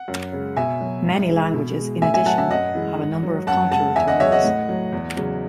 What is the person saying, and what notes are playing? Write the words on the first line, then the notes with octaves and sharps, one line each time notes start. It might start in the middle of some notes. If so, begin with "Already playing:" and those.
Many languages in addition have a number of contour tones.
Already playing: F#5
F#2
C#3 G#3
B2 E5 G#5
F#3
G#2
E3 G#3
B2
G#3
A2 E5 G#5
E5 G#5
F#3 F#5 A5
E5 G#5
F#2 D#5 F#5
E3 G#3
G#2
F#3
F#2 F#5 A5
C#3 G#3 F#5 A5
E2 E5 G#5
D#5 F#5
C#3 F#3 C#5 E5
D#5 F#5
A2
F#3
E2
C#3 F#3